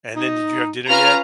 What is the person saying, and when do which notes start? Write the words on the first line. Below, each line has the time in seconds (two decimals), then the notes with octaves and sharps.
And then did you have dinner yet?
0.16 D#4
0.88 C#4 F4 B4 A#5 F6